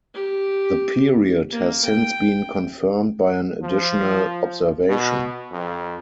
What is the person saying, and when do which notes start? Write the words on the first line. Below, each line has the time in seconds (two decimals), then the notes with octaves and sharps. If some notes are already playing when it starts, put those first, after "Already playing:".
The period has since been confirmed by an additional observation.
0.14 G4
1.51 A#3
1.85 G5
3.62 F3
4.89 B2
5.51 F2